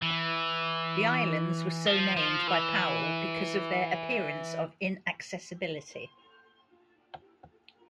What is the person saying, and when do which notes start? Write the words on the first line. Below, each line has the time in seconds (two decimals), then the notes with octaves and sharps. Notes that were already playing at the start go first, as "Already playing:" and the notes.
The islands were so named by Powell because of their appearance of inaccessibility.
0.02 E3
1.86 F3
2.17 F3
2.48 E3